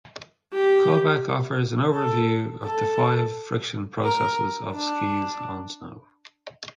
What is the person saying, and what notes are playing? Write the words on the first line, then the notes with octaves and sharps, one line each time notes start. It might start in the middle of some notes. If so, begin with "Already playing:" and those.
Colbeck offers an overview of the five friction processes of skis on snow.
G4
A4
A4
A#4
D4